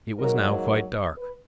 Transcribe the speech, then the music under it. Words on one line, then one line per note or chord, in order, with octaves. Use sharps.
It was now quite dark.
G#2 F#3 A#3 A#4
A#4
B4